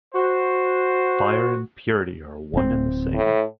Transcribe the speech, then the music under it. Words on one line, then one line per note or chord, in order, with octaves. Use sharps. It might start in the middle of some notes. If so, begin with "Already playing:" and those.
Fire and purity are one and the same.
F#4 C5
D1 C4
A2